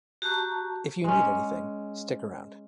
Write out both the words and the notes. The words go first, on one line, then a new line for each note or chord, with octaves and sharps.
If you need anything, stick around.
F#4 G4 A5 A#5 C#6
G#3 C#4